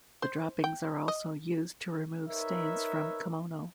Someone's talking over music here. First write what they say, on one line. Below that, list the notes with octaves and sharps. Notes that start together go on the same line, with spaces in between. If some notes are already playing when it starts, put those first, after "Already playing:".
The droppings are also used to remove stains from kimono.
C5
G5
D#5
D#4 A#4 B4 C#5 E5